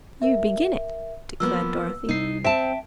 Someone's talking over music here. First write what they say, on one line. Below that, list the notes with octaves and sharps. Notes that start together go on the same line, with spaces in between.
"You began it," declared Dorothy.
A#4 E5
F3 A#3 B3 E6
C2 D#4 C7
C4 E5 G5 A5 D7